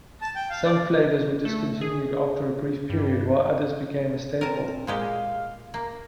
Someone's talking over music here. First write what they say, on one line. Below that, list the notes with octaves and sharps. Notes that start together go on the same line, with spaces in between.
Some flavors were discontinued after a brief period, while others became a staple.
A5
G5
F5
D5
A3
G#4
G2
C4 A#4 A5
A#2 G#3 G4 F5
A#3